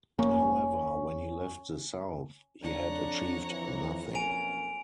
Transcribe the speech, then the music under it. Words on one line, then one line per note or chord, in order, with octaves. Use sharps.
However, when he left the south, he had achieved nothing.
F1 A#3 C#4
F2 D4 C#5 F#5 A#5
D3 E3
B1 A#3 C#4 G#5 D7 F7